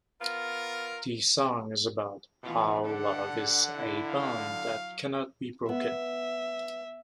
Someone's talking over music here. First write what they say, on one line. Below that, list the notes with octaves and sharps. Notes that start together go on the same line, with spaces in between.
The song is about "how love is a bond that cannot be broken".
B3 F4 A#4
B2 E3 B3 F4
D3 D4 G4 A4 F#5
E4
F5
F#3
B3 E5